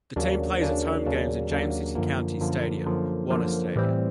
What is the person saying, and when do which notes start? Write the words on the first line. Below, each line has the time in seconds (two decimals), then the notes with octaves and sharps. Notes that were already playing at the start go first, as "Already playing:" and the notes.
The team plays its home games in James City County Stadium-Wanner Stadium.
0.16 D#2 C#3 F#3 A#3 D4
0.61 D#2 C#3 F#3 A#3 D4
1.06 D#2 C#3 F#3 A#3 D4
1.51 D#2 C#3 F#3 A#3 D4
1.95 F#2 D3 F3 A#3
2.40 F#2 D3 F3 A#3
2.86 F#2 D3 F3 A#3
3.30 F#2 D3 F3 A#3
3.76 A2 E3 G3 C4